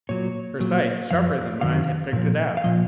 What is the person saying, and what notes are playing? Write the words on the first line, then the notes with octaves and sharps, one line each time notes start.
Her sight, sharper than mine, had picked it out.
A#2 F#3 C#5
A#2 F#3
F#2 F3 F5
F#2 D#3 F#3 F5
A#2 F3
F5
A#2 F3 D#5